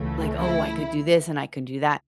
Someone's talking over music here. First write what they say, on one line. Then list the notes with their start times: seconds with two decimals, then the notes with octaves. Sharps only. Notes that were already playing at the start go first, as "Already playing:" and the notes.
like, "Oh, I could do this and I could do that,"
Already playing: C#2 C#3 E3 A3
0.40 E4